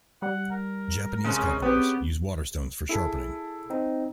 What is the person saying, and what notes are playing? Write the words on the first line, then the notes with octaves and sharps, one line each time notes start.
Japanese carpenters use waterstones for sharpening.
G3 F#5
A#4
C3 G#3 C#4
B3 C4 G4
E4 G#4 A4
C4 D#4